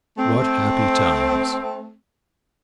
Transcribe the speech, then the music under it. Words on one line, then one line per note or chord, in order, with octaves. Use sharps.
What happy times!
A3 C4